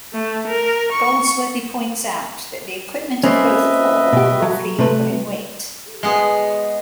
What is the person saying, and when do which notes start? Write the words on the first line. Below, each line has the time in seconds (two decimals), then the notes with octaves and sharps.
Goldsworthy points out that the equipment of both corps were roughly equal in weight.
0.14 A3
0.48 A#4
0.92 C#6
3.23 A#3 C4 C#4 B4 D#5 E5
4.13 B2 G4
4.42 F#3
4.79 C3 A3 B4
6.03 G#3 B3 G#4